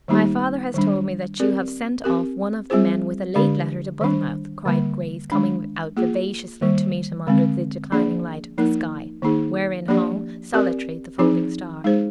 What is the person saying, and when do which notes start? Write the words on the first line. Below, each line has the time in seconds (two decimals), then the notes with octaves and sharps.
"My father has told me that you have sent off one of the men with a late letter to Budmouth," cried Grace, coming out vivaciously to meet him under the declining light of the sky, wherein hung, solitary, the folding star.
0.08 D#3 G3 A#3 D#4 G4
0.74 D#3 G3 D4
1.40 C4 G4 A#4 D5
2.04 C4 G4 A#4
2.70 G3 C4 F4 G#4 C5
3.35 D3 G#3 D4 G4 D5
4.01 D#3 G3 D4
4.65 D3 G3 A#3
5.32 D#3 G#3 D4
5.97 A#3 F4 G#4
6.61 D#3 G3 A#3
7.27 D3 G#3 C4
7.92 F3 A#3 D4 G#4 D5
8.58 F3 A#3 D#4 A#4
9.22 D#3 A#3 D#4 G#4
9.88 F3 A#3 D4 G4 D5
10.54 C4 G4 A#4 D5
11.19 F3 C4 D#4 G#4
11.84 G#3 D#4 G#4 C5